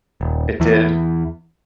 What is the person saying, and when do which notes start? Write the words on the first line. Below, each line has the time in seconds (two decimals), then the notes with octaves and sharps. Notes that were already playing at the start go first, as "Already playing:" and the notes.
It did?
0.21 D#1
0.60 E2 E3